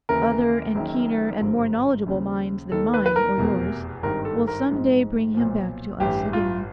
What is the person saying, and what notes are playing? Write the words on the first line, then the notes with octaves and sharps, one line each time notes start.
Other and keener and more knowledgeable minds than mine or yours will some day bring him back to us again.
D#2 C#3 E3 A#4
F#1 F#2 D#3
G#1 G2 D3 F3
D#2 C#3 F3
D#2 D#3 A4
B4
B4
A#4
F1 E2 B2
G#1 G2 D#3 A#4
A4
A#4
A#1 G#2 F3
B1 A#2 F3
A1 G2 E3 G4
F4